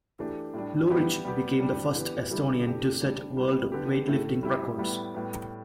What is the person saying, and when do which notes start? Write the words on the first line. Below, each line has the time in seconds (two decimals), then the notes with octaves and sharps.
Lurich became the first Estonian to set world weightlifting records.
0.19 E3 A3 D4 G4
0.54 A2 G3 D4
0.90 G3 B3 E4 G4
1.25 G3 B3 G4
1.60 G3 D4 G4
1.95 E3 B3 G4
2.31 D3 G3 E4 G4
2.66 E3 A3 D4 G4
3.01 G3 D4 G4
3.37 G3 B3 E4
3.72 D3 B3 G4
4.07 A2 A3 E4
4.43 G3 E4 G4
4.78 A2 G3 B3 E4
5.14 A2 G3 B3